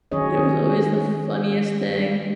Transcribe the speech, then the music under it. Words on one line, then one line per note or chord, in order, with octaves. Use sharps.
It was always the funniest thing.
D#3 F#3 C#4 G#4 C#5 D#5